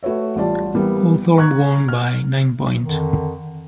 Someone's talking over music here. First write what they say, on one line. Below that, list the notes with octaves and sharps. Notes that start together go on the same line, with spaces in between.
Hawthorn won by nine points.
A3 F#4 B4 C#5 E5
A1 G3 F4 G4 D5 A5
E3 G3 A#3 B3
A#5 C#6 F#6 G#6
F6
F2 D3 D#3